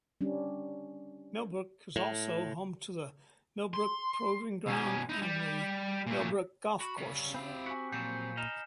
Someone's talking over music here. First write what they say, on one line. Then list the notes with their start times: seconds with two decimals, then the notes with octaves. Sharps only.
Millbrook is also home to the Millbrook Proving Ground and The Millbrook Golf Club.
0.21 G3 C#4 D4
1.96 A2
3.74 C6
4.67 B2 C#4
5.09 D#4 E4
5.22 G3
6.07 A#2 A3
6.80 F#4 B5
6.98 C#3 G3 C#4
7.34 C4 E4 G4 F5 B5
7.66 F#4 G#5 B6
7.92 A#2 F3 F#3 G6 C7 C#7
8.37 D#5 A#5 F6 E7